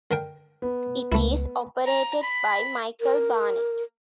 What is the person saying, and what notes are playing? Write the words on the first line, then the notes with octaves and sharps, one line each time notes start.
It is operated by Michael Barnett.
D3 A#4 G5
B3
C#2 A3 E4
A#5
B5
A#4